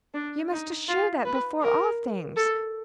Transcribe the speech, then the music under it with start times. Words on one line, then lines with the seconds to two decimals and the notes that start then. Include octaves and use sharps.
You must assure that, before all things.
0.14 D4
0.52 D#4
0.88 F4
1.25 B4
1.62 A#4
2.36 A4